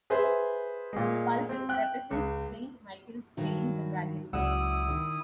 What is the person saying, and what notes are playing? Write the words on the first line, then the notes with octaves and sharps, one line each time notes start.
The pulpit represents Saint Michael slaying the dragon.
G#4 B4 C5 E5
A#2 G#3
C4
G5 F#6
C#2
G2 D#3 F#3
C#2 F#3 E4 D5 F#5 D#6 E6
D#3